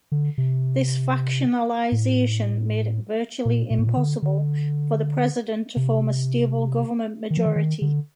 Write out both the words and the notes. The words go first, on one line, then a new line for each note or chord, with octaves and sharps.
This factionalization made it virtually impossible for the president to form a stable government majority.
D3
C3
A2
A#2
A#2
A2
A#2
D3
D3
C3
D#3
F3
D#3
D#3
D3